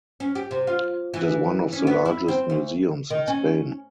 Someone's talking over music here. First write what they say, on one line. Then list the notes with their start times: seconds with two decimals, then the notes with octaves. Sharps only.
It is one of the largest museums in Spain.
0.20 C#4
0.35 G4
0.51 C3
0.67 F4
1.14 E3
1.73 C#4
1.87 B3
2.05 E4
2.28 C4
2.50 D2
3.10 D#3
3.28 C#4